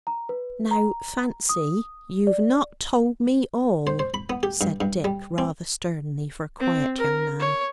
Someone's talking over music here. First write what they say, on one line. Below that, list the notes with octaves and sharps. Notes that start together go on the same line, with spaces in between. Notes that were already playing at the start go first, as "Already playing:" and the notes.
"Now, Fancy, you've not told me all!" said Dick, rather sternly for a quiet young man.
A#5
B4
A#5
D#6
D5
C5
C5
B5
B3
G4
G2
G2
G3
C4
C4
A#4
C#5